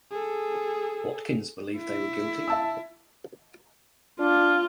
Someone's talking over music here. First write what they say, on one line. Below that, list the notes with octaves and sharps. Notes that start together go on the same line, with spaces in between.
Watkins believed they were guilty.
G#4 A4
E4
E5 A5 E6
D4 F4